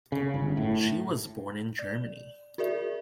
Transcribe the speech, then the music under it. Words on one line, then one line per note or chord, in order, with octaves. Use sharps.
She was born in Germany.
C#3
G1
A2
D5
F#4 G#4 A#4 D5 E5